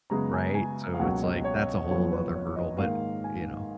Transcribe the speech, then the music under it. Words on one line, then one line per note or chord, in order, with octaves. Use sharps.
right, so, it's like that's a whole other hurdle, but you know?
F#2 C#3 G#3 B3 A#5
G#5
G#5
F5
C#2 B2 F#3 A#3 C#4 F#5
D#5
C#5
F#1 F#2 F3 B3 C#5
B4
C#5
D#5
G#2 D#3 A#3 F5
G#5